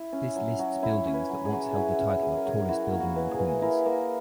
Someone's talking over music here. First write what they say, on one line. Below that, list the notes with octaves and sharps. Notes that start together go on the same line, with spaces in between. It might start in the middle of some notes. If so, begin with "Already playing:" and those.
This lists buildings that once held the title of tallest building in Queens.
Already playing: E4
C#4
F#3
F#3
E4 C#5
C#4
B4
F#3
G#4
F#3
E4 F#4 G#4
C#4 F#4
F#3 G#4
A#4
F#3 G#4
E4 F#4
A#3
F#4
E3
G#4
E3
E4 A#4
A#3